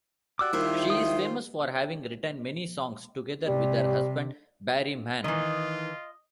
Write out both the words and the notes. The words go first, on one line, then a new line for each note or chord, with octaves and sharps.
She is famous for having written many songs together with her husband Barry Mann.
F#4 G4 D5 D6 E6 F#6
D#3 G3 E4 F4 A#4 C5
D#6
C3 G3
D#3 E3 F4 D#5